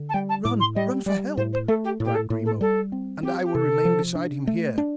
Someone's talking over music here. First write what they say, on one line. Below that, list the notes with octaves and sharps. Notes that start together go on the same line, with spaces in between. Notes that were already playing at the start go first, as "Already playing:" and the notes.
"Run! run for help!" cried Grimaud, "and I will remain beside him here."
Already playing: D3
A5
G3 G5
A5
A2 D6
C6
G3 D#5
G3 D5
A2 C5
C5
A3 A4
G4
A2 G4
A4
A2
A4
G3 A4
C4
C4 G4
G4
C3 A4
F3
D4
A3
D4